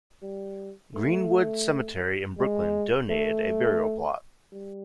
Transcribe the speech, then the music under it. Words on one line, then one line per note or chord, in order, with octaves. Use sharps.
Green-Wood Cemetery in Brooklyn donated a burial plot.
G3
A3
G#3
A3
G3